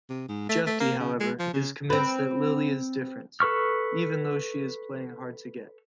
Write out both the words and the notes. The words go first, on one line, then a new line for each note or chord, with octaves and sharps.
Jefty, however, is convinced that Lily is "different", even though she is playing hard-to-get.
C3
G#2
A3
A3
A#3
C#3
G#3
F3
C#3
C4 B4
A4 B4 C#6 F6